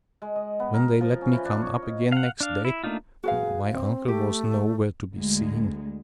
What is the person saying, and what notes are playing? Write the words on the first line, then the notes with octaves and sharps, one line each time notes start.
And when they let me come up again next day, my uncle was nowhere to be seen.
G#3
D#5
B3
A#4
F3
C#4
E3
D4
C#5
D#5
F5 F#5
D4 F5
E4
A3 A#3 D4 D#4 F4
F#4 G#4 B4 F5
C4
A3 G4
D2 G#3